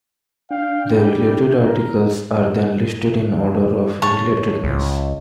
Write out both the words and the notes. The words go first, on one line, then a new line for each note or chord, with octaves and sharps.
The related articles are then listed in order of "relatedness".
D4 F5 G5
G3
A#4
C#5 A5
C#2